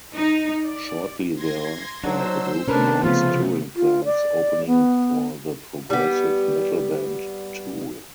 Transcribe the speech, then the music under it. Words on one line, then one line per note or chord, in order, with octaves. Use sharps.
Shortly thereafter, the group announced touring plans opening for the progressive metal band Tool.
D#4
D5
C6 G#6 A#6
F#3 D4 D#4 F#4 C5 E6
C3 A3 B3 C#4 D4 A#4 B4
C#3 F3 F4
F4
D5
B3
G3 B3